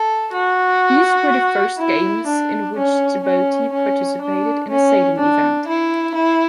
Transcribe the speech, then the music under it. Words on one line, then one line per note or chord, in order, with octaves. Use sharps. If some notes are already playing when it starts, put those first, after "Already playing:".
These were the first games in which Djibouti participated in a sailing event.
Already playing: A4
F#4
E4
D4
C#4
C#4
C#4
D4
C#4
D4
E4
E4